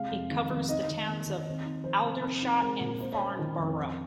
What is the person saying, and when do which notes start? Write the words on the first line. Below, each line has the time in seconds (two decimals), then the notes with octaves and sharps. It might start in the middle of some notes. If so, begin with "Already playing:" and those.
It covers the towns of Aldershot and Farnborough.
Already playing: C3 G#3 F5
0.11 F2
0.30 D#3
0.50 F2
0.69 D#4 D#5
0.88 D#3
1.08 A#3
1.26 D#3
1.47 C4
1.65 D#4
1.84 F3 C5
2.03 C3
2.23 C4
2.42 D#4
2.62 G#3 A#4
2.81 A#2
3.00 A#3 C5
3.12 C#5
3.19 C#4
3.39 D#3
3.58 F2
3.77 C4